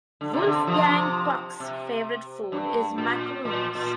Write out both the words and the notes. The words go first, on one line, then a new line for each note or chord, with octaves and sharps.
Wolfgang Puck's favorite food is macaroons.
D3
C3
D3
C3 F3
C3
G2
A#2
A#2
A#2